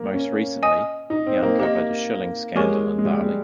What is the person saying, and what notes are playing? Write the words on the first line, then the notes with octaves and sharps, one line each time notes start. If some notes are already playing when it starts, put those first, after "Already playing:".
Most recently, he uncovered the shilling scandal in Bali.
Already playing: A#3
C#4
D#5 G#5 D#6
D#4
C4
A#3
A#3 G4 A#4 D#5
G#3 G4 A#4 C#5 G#5 C#6
G#3
G3
G#3